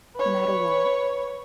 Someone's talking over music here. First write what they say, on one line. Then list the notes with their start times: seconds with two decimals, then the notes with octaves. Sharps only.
Not a lot.
0.16 B4 C#5